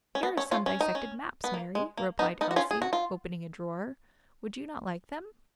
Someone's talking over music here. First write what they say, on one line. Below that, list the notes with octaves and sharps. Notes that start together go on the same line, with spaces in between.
"Here are some dissected maps, Mary," replied Elsie, opening a drawer; "would you not like them?"
C#4
B3
C#4
C#4 F4
C#4
D#4
C#4
B3
A#3
G#3
A#3
B3 D#4
B3 D#4
F#4
C#4 F4
G#4
F#4
F4